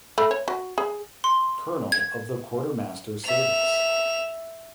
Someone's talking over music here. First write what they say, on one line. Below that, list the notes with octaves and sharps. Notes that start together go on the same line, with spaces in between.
Colonel of the quartermaster service.
A3 B5
C#5
F#4
G#4
C6
G#6
E5 F7